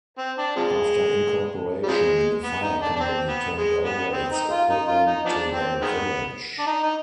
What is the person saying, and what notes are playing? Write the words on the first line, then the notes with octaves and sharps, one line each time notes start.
After incorporation, the fire company turned over its equipment to the village.
C4
D4
C3 F3 G#3
G3
C3 F3 G#3
B3
D#4
D4
D4
C4
B3
G#3
B3
C4
D#4
F4
D#4
F4
D#4
F3 B3 D4
C4
D#3 G#3 B3
D4
D#4
D#4